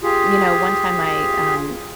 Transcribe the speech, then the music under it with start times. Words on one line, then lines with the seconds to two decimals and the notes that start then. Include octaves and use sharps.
You know, one time I, um,
0.02 F4 G4 G#4